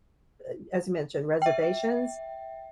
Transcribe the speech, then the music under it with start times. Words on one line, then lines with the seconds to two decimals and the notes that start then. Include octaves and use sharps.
uh, as you mentioned, reservations.
1.42 E5 G5